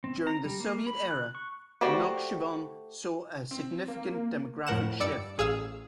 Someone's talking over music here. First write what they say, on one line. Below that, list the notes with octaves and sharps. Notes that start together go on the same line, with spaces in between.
During the Soviet era, Nakhchivan saw a significant demographic shift.
C4
A#5
G3
A#3
B5
F#6
C#6
A3 F#4 G4 C5 D5
C4
A#3
F2 A2 A#4 F#5 E7
G2 D5 E6 C#7 D7
A1 G#4 F5 E6